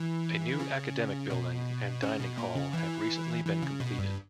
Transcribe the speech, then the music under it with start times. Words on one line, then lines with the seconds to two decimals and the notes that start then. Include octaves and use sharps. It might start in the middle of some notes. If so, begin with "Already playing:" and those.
A new academic building and dining hall have recently been completed.
Already playing: E3
0.59 C#3
1.30 B2
2.02 C#3
2.20 B2
2.38 A#2
2.55 C#3
2.73 E3
3.45 E3
3.62 C#3
3.80 B2
3.98 G2